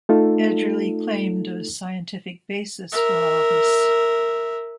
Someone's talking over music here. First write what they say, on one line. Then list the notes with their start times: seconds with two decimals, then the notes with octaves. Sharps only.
Edgerly claimed a scientific basis for all this.
0.09 A3 D#4 F4 A4
2.92 A#4 E5